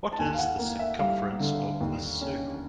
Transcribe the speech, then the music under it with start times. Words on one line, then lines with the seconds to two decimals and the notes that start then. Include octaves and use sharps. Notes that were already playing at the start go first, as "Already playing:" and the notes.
What is the circumference of this circle?
0.12 A5
0.19 D#2 G#5
0.34 F5
0.39 F#5
0.59 A#3
0.79 E5
0.99 G3 F5
1.40 D3
1.80 D#2
2.21 C#4